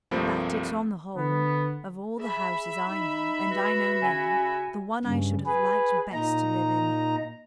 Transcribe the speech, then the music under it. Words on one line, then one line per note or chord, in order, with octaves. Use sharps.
But it's on the whole, of all the houses I know, and I know many, the one I should have liked best to live in.
C2 G2 F3 A3 A#3 C4
D3 B3
G#4 E5 B5
D#4
F#4 B4
C#3 G#5
G2 C#3
G#4 B4
A#2 D#4 A#5